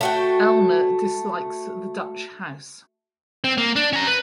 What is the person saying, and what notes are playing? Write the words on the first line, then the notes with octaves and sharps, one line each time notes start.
Elna dislikes the Dutch House.
A3 F#4 G5
C4
A#3
D4
C#4 A#5
B4